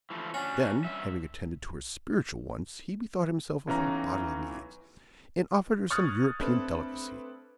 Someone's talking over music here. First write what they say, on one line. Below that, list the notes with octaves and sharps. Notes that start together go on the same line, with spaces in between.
Then having attended to her spiritual wants, he bethought himself of her bodily needs, and offered her some European delicacies.
E3 F3 A3
C#4 D4 F#4
G2 E5
B1 E3 C#4 A#5
C#6 D#6 F6 F#6 G#6 A6
A3 C4 D4 A4 B4